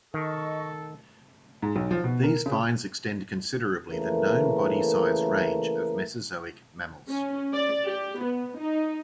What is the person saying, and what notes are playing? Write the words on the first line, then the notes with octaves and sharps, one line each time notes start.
These finds extend considerably the known body size range of Mesozoic mammals.
D#3 A4 D#5 C#6
G#2
B1
F3
B2
A#4
C#3
C#3 E3 A3 A#3 A#4
C#4
D5
G4
B3
D#4